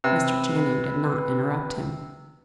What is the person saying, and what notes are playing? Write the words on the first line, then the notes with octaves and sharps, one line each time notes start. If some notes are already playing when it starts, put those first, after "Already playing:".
Mr. Channing did not interrupt him.
C3 B4